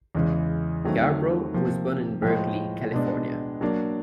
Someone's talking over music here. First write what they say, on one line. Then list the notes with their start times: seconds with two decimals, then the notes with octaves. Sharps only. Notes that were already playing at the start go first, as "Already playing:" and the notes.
Yarbro was born in Berkeley, California.
0.15 E2 C#3 E3 G#3
0.85 D#3 F#3 A3 C4
1.53 C3 F3 A#3
2.22 A2 F3 G#3
2.92 B2 G#3 B3 D4
3.61 F#3 A#3 D4